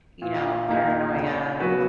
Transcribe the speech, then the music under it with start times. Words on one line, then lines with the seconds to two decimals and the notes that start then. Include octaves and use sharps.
you know, paranoia,
0.22 A#2
0.68 A#3 D#4 G#4
1.14 C#3
1.60 F#3 B3 F#4 B4